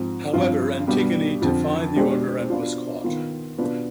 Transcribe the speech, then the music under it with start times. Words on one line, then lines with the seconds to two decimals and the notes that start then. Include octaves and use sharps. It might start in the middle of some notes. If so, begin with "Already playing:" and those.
However, Antigone defied the order and was caught.
Already playing: G#2 F3 C4
0.33 G2 F3 C4 F4
0.88 B2 G3 B3 D4 G4
1.42 F2 D3 F3
1.96 B2 G#3 D4 G4 C5
2.50 B2 B3 D4 F4
3.04 D#3 B3 F4
3.58 B2 B3 D4 F4 B4